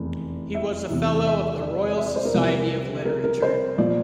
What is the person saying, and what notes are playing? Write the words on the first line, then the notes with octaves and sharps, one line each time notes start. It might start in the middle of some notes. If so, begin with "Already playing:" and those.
He was a fellow of the Royal Society of Literature.
Already playing: F1 E2 E3
E5
E2 C3 E3
E5
D5
E5
D5
C5
A#4
C2 C3 F3
A#4
A#4
C5
A#2 F3 D5